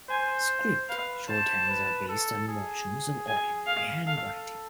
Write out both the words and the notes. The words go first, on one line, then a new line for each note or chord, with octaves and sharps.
"Script" shorthands are based on the motions of ordinary handwriting.
C5 G#5
B4 F5
C5 A5
B4
A4
G#4
G#5
F5
A4 F5